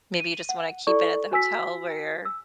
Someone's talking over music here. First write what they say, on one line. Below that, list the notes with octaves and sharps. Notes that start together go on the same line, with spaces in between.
maybe you just wanna keep it at the hotel where you're
D#7
F#5
E4 A4 D5 C#6
F#4 G#5 E6 B6
E6